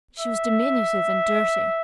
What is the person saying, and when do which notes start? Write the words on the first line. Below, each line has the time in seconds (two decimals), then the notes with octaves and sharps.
She was diminutive and dirty.
0.19 E5